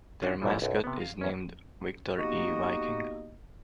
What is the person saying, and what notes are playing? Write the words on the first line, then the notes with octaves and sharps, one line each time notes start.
Their mascot is named Victor E. Viking.
C#4 D4 F4 F#4
A1 F#2 A#2 E3 F3
B1 F#2
C3 B3
F5
E2 C#4
A#3 B3 D#4 F#4 G4 D#5